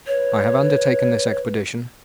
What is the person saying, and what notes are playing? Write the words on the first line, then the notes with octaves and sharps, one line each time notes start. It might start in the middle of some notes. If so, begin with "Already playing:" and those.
I have undertaken this expedition.
B4 C#5